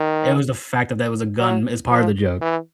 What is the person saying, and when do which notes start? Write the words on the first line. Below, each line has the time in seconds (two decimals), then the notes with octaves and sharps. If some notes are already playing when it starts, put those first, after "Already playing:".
It was the fact that there was a gun as part of the joke,
Already playing: D#3
1.39 F#3
1.91 F3
2.41 E3